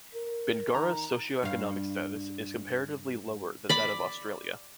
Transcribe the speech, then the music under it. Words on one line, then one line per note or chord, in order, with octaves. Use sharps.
Bingara's socioeconomic status is comparatively lower than that of Australia.
A#4
D#3 A#5
G2 F5
D5 B5